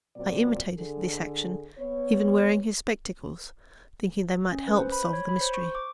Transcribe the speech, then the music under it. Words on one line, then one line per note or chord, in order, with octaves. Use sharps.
I imitated this action, even wearing his spectacles, thinking they might help solve the mystery.
A#2 F#3 C4 D5
D3 G#4 A4
B3 C#5
C#4
B4
C5
B5
C#5
B5
C5
C#6
D6